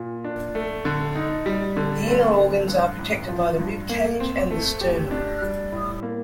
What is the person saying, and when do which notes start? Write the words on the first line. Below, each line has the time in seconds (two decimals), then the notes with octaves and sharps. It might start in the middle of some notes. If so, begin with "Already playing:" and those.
The inner organs are protected by the rib cage and the sternum.
Already playing: A#2
0.24 D4
0.55 A3
0.85 D3
1.15 D#4
1.46 G3
1.77 D3
2.07 C4
2.37 D3
2.68 G2
2.99 A1
3.29 F3
3.59 G2
3.89 A#3
4.20 C4
4.51 A3
4.81 G4
5.11 D4
5.42 G3
5.72 A2
6.03 A#3